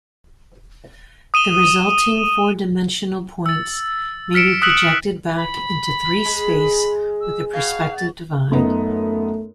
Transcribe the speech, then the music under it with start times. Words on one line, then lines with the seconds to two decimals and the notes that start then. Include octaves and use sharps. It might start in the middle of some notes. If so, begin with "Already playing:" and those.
The resulting four-dimensional points may be projected back into three-space with a perspective divide.
1.34 D#6 D#7 E7 G7
3.46 E6 A6
4.34 F6 B6 C#7 D7 E7
4.62 D#6 E6 F#6 B6 F#7
5.35 B5
6.25 G#3
7.21 E6
7.53 B2 F5
7.97 A6
8.51 F#2 A3 B3 D#4